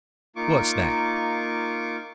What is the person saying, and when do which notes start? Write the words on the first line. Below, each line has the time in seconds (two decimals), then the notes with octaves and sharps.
"What's that?"
0.36 A#3 D#4 F4 C#6 D6